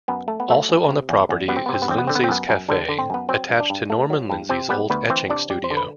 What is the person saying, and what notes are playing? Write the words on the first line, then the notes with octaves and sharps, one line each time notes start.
Also on the property is Lindsay's Cafe, attached to Norman Lindsay's old etching studio.
F#2 B3
A3
B3
F#3 A3
F#2
C3
E2
E2
G3 B3
C4
C3 B3
C4
B3
E2 C4
B3
D3 C4
B3
C4
F#2 B3
F#2
D3 G3 D4
D3
C4 C5
F#2 B3 B4
F#3 C4 C5
G2
D4 D5
G2
A3
F#3
G2
C3 C4 C5
G3 B3 B4
D2 B3 B4
E3 C4 C5
C3 D4 D5
G3 D5
C5
D3
B4